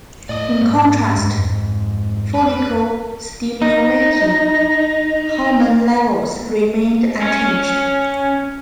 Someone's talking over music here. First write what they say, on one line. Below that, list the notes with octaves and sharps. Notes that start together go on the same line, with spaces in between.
In contrast, follicle-stimulating hormone levels remained unchanged.
A2 D5 D#5
G#2
G2 G#3
F2
B4
D#4 A#6
C#4 C#5